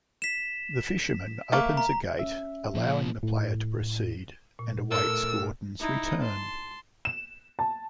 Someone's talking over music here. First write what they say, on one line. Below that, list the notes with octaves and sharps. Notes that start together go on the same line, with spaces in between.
The fisherman opens a gate, allowing the player to proceed, and awaits Gordon's return.
B6 E7
A3 A#3
A#5
C#4 E5
A#2 F3
A2
A#2
A2 A4 A#4 E6
D#4 E4
A5 C6
E7
A5